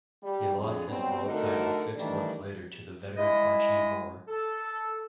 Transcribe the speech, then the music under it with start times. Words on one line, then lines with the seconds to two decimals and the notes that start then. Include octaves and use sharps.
He lost his world title six months later to the veteran Archie Moore.
0.23 G3
0.56 F2 D3 G#4
0.88 B2 F#3 G3 B3 C4
1.25 D3 A3 D#4 F#4 A4 A#4
1.96 D#3 E3 G3 A3 D4
3.17 G#3 E4 D#5
4.28 A4